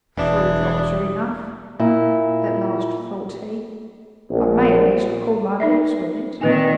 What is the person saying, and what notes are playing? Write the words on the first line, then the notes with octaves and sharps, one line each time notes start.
"Three drops are enough," at last thought he; "I may, at least, cool my lips with it."
E1 E3 D4 D5 E5 D#6
A#2 E4
A#1
D#4 D5 E5
A#2 D#3 C4 B4 G#5